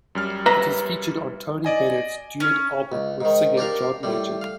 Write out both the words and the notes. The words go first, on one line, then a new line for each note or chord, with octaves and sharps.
It is featured on Tony Bennett's Duet album with singer John Legend.
F#2 G3 F6
B4 E5 A#5
D5 D#5 G#5
C#4
C#2
G#2 D#3
D4 G4 A#4 F5
A2 G3
F5